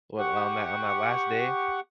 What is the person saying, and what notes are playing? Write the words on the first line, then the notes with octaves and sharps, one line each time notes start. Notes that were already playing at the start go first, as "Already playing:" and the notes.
What on that on that last day,
G4 F#5 C#6